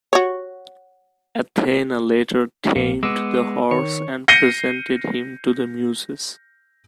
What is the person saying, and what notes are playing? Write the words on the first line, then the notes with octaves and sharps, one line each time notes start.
Athena later tamed the horse and presented him to the muses.
F#4 C#5
A#1 A#3 C#7
G#3 B3 D6 E6
D#3 C#5
G6 A#6 C7 C#7 D#7 G7